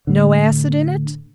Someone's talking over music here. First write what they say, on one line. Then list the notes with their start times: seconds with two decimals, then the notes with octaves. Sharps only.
"No acid in it?"
0.07 A2 D3